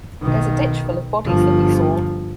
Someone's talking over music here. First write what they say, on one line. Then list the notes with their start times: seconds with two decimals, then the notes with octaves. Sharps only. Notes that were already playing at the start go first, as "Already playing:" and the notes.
There's a ditch full of bodies that we saw.
0.22 B1 D#3
1.25 G1 F3